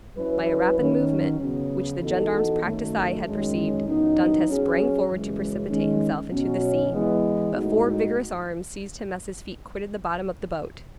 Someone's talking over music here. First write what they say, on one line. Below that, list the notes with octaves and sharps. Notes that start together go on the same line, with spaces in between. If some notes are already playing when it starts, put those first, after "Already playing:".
By a rapid movement, which the gendarme's practiced eye had perceived, Dantes sprang forward to precipitate himself into the sea; but four vigorous arms seized him as his feet quitted the bottom of the boat.
F#3 C#4 E4 B4
D#3 F#3 C#4
C#3 F#3 B3
E3 B3 D#4 F#4 A4
F#2 D#3 A3
F#2 D#3 G#3 C#4
F#2 E3 B3 D#4
F#3 C#4 G#4
F#2 C#3 E3 G#3
D#3 G#3 C#4
B2 F#3 C#4
E3 G#3 B3 E4
A2 G#3 D#4 F#4